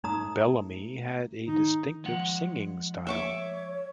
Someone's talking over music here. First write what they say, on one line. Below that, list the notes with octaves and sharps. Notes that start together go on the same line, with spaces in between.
Bellamy had a distinctive singing style.
G#2 G#3 A3 D#4 A#5 D#6
D#3 D#4
F3 G#3 F#5
C#5 E5 C#6 D6